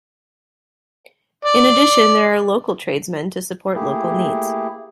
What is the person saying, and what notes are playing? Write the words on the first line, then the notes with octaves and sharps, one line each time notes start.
In addition there are local tradesmen to support local needs.
D5
A3 A#3 E4 G4 G#4